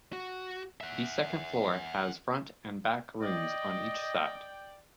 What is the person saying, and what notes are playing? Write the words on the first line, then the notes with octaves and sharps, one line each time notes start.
The second floor has front and back rooms on each side.
F#4
E5 F#5
D5 D#5 G5